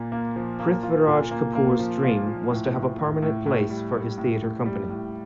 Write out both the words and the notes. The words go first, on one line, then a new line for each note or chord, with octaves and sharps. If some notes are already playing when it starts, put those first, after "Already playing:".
Prithviraj Kapoor's dream was to have a permanent place for his theatre company.
Already playing: A#2 A#3
A#3
F3
A#3
F4
A#2
A#3
A#3
F3
F4
F3
A2
A2
A2
A2
A2
G3
G3
A2
A2
G3
A2